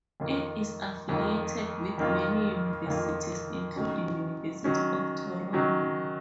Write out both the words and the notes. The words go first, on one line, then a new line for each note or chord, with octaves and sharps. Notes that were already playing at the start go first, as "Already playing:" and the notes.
It is affiliated with many universities, including University of Toronto.
F2 D#3 A#3 F4
F2 D#3 A#3 F4
F2 D#3 A#3 F4
F2 D#3 A#3 F4
D#3 F#3 C#4
D#3 F#3 C#4
D#3 F#3 C#4